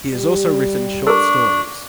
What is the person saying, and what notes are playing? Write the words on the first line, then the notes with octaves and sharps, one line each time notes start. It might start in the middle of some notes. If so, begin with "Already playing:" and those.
He has also written short stories.
G3 G4
D4 A4 A#4 C#6